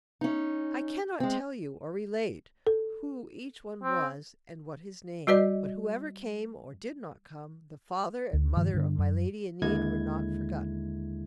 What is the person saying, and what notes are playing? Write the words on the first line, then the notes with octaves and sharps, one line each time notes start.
I cannot tell you or relate who each one was, and what his name; but whoever came or did not come, the father and mother of my lady Enide were not forgotten.
C#4 D#4
G#3 C4
A4
C4
G3 F#4 B4 D5 D#5
D2
G2 D#3 F3
G2 D3
F#2
D#2 D3 G#3 E4 G#6